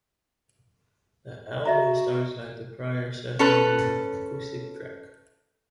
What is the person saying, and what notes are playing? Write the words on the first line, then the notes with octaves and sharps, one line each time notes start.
The album starts like the prior seven, with an acoustic track.
F#4 D#5 E5 A#5
C#4 A4 B4